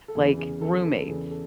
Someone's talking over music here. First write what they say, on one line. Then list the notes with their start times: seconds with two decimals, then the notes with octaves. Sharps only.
like roommates.
0.08 A4
0.15 E2 C#3 E3 G#4
0.39 G#4
0.61 A4
0.85 A4
0.97 A4
1.08 E2 C#3 E3 G#4
1.31 A4